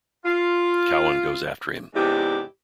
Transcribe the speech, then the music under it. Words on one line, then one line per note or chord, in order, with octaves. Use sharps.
Cowan goes after him.
F4
E2 G#2 C3 D4 E4 G4